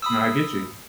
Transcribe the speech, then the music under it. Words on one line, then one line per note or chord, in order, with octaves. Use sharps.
Nah, I get you.
B5 D#6 E6